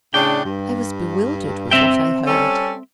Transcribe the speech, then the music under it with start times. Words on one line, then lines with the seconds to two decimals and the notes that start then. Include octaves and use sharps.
I was bewildered with what I heard.
0.14 A2 C#3 D4 G5
0.45 G2
1.71 C4 E5 G5
2.27 G3 C#4 A4